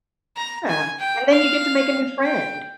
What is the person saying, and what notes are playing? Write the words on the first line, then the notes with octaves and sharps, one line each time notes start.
Yeah, and then you get to make a new friend.
A#5
G#5
G5
F5
G5